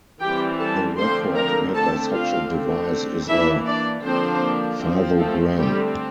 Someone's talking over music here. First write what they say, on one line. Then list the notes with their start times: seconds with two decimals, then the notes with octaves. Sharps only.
The record made by such a device is a fathogram.
0.21 E3 G3 C4 G4 G5
0.59 A4 A5
0.98 D3 F3 A3 C4 C5 C6
1.36 A#4 A#5
1.74 D3 A3 C4 A4 A5
2.13 F4 F5
2.51 D3 A3 C4
3.28 E3 A#3 D4 E4 E5
3.66 D4 D5
4.04 D3 F3 A#3 C4 D4 C5
4.81 F3 C4
5.19 A3 A4
5.58 D3 G3 A3 C4 G4